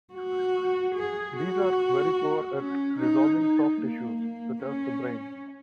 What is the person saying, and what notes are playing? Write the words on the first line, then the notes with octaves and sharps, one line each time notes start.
These are very poor at resolving soft tissues, such as the brain.
F#4
G#4
F#4
C#4
D#4
D#4
A#3
A#3
C#4